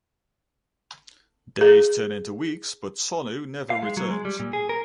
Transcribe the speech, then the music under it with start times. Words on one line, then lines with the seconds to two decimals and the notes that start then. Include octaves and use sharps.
Days turn into weeks but Sonu never returns.
1.61 G#4
3.70 F5
3.83 G#3
3.97 F#3
4.10 G#3
4.25 G3
4.40 A#2
4.53 G#4
4.69 A#4